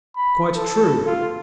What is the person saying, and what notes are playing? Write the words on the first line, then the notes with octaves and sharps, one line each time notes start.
Quite true!
B5
A4
F4